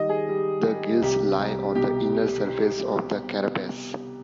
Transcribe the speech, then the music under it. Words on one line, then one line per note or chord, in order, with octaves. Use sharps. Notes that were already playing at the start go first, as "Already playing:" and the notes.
The gills lie on the inner surface of the carapace.
Already playing: D#3 G3 D#5
G#4
G3
G3
C2 G4
C2
B2 G4